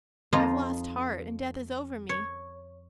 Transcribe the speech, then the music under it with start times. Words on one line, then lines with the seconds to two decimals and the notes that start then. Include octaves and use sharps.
I've lost heart, and death is over me.
0.33 F2 D#4 F4 D#5 A#5
2.09 C#5